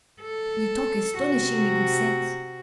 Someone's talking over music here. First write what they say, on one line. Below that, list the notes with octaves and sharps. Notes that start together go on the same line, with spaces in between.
You talk astonishingly good sense.
A4
C3 F#4